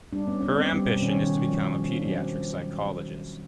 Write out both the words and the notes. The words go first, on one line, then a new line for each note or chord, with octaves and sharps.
Her ambition is to become a pediatric psychologist.
G3 D4
B3 C#4
B3 D4
C4
G3
B2
D#3 C#4
D#3
D#3
F3
F3
F3
C4 D4
F#3
C4